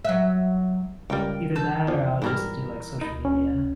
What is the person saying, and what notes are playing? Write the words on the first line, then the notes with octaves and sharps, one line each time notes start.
either that or I'll, just, do, like, social media.
F#3 E5
C#2 G3 A#4 G5
E3 A5 E6 G6
E2 F3 C5 D5
G#2 B2 G3 E4 A#4 F6
D2 A3 D#4 B5
C#4